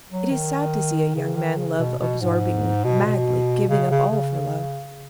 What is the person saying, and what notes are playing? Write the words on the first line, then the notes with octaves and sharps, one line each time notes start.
It is sad to see a young man love absorbingly, madly, giving up all for love.
F#3
D#3
C#3
D#3
C#3
B2
B2
G#2
B2
B2
C#3
C#3
C#3